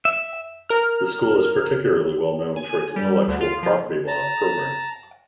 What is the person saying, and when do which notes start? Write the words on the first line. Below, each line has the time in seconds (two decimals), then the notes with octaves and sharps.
The school is particularly well known for its Intellectual Property Law program.
0.05 E5
0.69 A#4 F6
2.56 G#5
2.96 G3
3.28 D2
3.40 F4
3.63 F3
4.07 A5 A#5